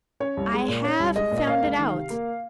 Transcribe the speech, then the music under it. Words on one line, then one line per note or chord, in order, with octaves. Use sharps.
I HAVE found it out.
C#4 C#5
C2
G#3
A#2
C#4 C#5
C2
G#3 D#5
A#2
D#5
A#3 F5
C#2
D#3
C3
A#3